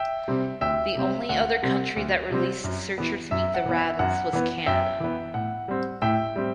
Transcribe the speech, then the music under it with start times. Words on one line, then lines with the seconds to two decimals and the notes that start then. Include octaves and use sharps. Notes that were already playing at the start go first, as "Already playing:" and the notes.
The only other country that released "The Searchers Meet The Rattles" was Canada.
Already playing: E5 G5
0.28 C3 G3 C4
0.61 D2 E5 G5
0.95 C3 G3 C4
1.29 D2 F#5
1.63 C3 G3 C4
1.96 D2
2.30 C3 G3 C4
2.64 F#2
2.98 E3 B3
3.31 F#2 E5
3.54 F#5
3.65 E3 B3
3.77 E5
3.99 F#2 F#5
4.33 E3 B3
4.66 F#2 E5 G5
5.00 E3 B3
5.34 A2 F#5
5.68 G3 C4
6.02 A2 E5 G5
6.36 G3 C4